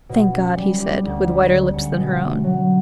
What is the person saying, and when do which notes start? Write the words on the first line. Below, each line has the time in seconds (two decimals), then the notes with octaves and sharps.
"Thank God," he said, with whiter lips than her own.
0.09 B2
0.33 C#4
0.57 G3
0.80 G4
1.04 D2
1.27 G3
1.51 D3
1.74 C#4
1.98 B2
2.21 A3
2.44 F#3